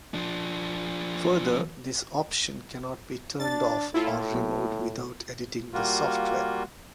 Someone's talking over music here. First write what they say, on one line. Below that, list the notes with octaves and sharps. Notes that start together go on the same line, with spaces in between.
Further, this option cannot be turned off or removed without editing the software.
F3 D4
D4 A6
A2 E4 F4 A4
B1 A#2
G3 A#3 F4 F#4